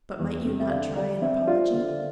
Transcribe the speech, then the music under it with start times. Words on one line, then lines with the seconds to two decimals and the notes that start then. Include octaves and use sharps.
"But might you not try an apology?"
0.19 E2
0.45 C3
0.60 E5
0.70 D3 D5 F5
0.96 G3 D5 F5
1.22 C4 C5 E5
1.47 F4 D5 F5
1.74 D3